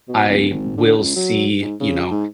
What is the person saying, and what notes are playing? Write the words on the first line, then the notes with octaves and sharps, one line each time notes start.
I will see, you know,
B2
D1
G#1
D3
C#2
F#3
G#2
C#3
G#2